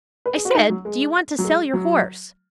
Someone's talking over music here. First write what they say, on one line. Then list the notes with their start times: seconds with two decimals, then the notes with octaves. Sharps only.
"I said, do you want to sell your horse?"
0.26 B4
0.35 G#4
0.45 F#4
0.55 D#4
0.70 F#3
0.85 G#3
1.39 F#3
1.44 G#3
1.73 F#3